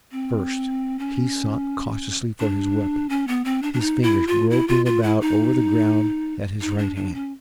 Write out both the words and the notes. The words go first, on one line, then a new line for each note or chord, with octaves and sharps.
First he sought cautiously for his weapon, his fingers groping about over the ground at his right hand.
C4
C#4
D4
C#4
B3
C4
D4
D4
D#4
E4
F4
E4
F4
F4
E4
D#4
D#4
D4
D4
C#4